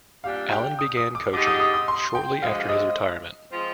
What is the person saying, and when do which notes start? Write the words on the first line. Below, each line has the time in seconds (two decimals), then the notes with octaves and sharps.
Allen began coaching shortly after his retirement.
0.24 A#2 G3 D4 G4 F5
0.52 G5
0.79 D#6
0.97 D#6
1.15 D6
1.33 D3 G#3 D#4 G4 D6
1.47 D#6
1.60 D#6
1.74 D#6
1.88 C6
2.15 G5
2.42 D2 D3 F3 G#3 F5
2.69 D#5
3.51 F3 G#3 C4 F4 C5